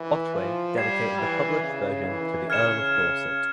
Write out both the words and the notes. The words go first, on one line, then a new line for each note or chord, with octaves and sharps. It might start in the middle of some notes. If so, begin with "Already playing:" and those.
Otway dedicated the published version to the Earl of Dorset.
Already playing: E3
F3
G3 G#6 C7 E7
E3
C#3
E3
C#3 F6 G#6 C#7 E7